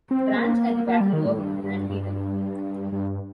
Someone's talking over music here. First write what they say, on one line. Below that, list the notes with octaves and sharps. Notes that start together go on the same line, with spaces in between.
Branch at the Battle of Antietam.
C4
A#3
A#3
G3
D#3
A2
G2
G2
G2
G2